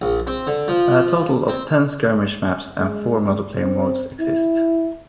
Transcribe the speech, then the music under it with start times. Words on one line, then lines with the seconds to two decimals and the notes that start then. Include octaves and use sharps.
A total of ten skirmish maps and four multiplayer modes exist.
0.02 A#1
0.27 C4
0.47 D3
0.68 F3
1.48 C4
2.79 G#3
3.61 C4
4.20 E4